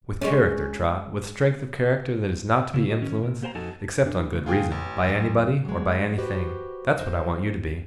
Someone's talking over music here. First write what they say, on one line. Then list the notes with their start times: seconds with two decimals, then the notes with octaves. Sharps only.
With character, Trot--with strength of character that is not to be influenced, except on good reason, by anybody, or by anything. That's what I want you to be.
0.22 G#3 C#4
2.74 C#3 E4
2.87 F#4 D#5
3.02 D#3 C#4
3.23 A#2
3.42 A#3 G4 C5 G5 A#5
3.55 F2 D#4 F#4 A4 G#5 A5
4.03 F2 D4
4.32 A#2 C#3 A3
4.46 F4 G#4 G5
4.72 A1
5.08 E2 G#2 F#3
5.65 F#3 G#3
6.18 F#4 G4 B4 C5 D#5
6.97 F2 F#3 C5 D#5